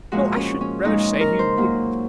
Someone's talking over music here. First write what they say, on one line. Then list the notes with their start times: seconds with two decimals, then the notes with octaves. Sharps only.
'No, I should rather say he wouldn't.
0.12 A#2 F3 G#3 F#4
0.36 C#4
0.61 C#4
0.84 A#2 F3 G#3 D#4
1.21 A#4
1.39 C5
1.57 A#2 F#3 A#3